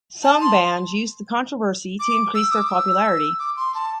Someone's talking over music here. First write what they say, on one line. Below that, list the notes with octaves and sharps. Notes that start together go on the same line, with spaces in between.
Some bands used the controversy to increase their popularity.
A5
C6
D6
E6
D6
E6
D6
C6
A5